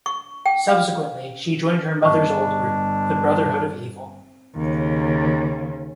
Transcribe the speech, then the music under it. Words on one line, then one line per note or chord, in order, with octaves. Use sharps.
Subsequently, she joined her mother's old group, the Brotherhood of Evil.
C#6
G5
F5
G1 D4 D#5 C#6
D#2 C#3